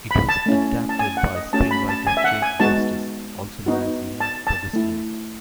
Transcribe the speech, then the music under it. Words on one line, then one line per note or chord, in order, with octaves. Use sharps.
It was adapted by screenwriter Jake Justiz, also known as Lee Pogostin.
B5
A5
A3 C#4 E4
A5
G#5
F#5
D#5
A3 C#4 F#4 A5
B5
A5
G#5
E5
F#5
G#5
G#3 B3 D#4 F#4 A5
B3 D#4 F#4
A5
A5
A3 E4